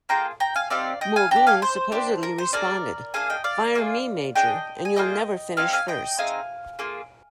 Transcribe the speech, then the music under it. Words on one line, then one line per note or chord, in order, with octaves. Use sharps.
Muldoon supposedly responded, Fire me, Major, and you'll never finish first.
A#3 F4 G#4 G5 A#5
G5 A#5
F5 G#5
C4 D#4 G4 D5 F5
D#5 G5
F5 G#5
D4 G4 G5 A#5
F5 G#5
C5
D4 G4
A#4
C5
A#3 D4 G#4 A#4 D5
A#3 D4 G#4 F5 G#5
D#5 G5
D5 F5
A#3 F4 G#4
D4 G#4 D#5 G5
G#5
A#3 F4 G#4 D#5 G5
C4 D#4 G4 F5 G#5
F5 G#5
D#5 G5
C4 D#4 G#4 F5 G#5
A#3 F4 G#4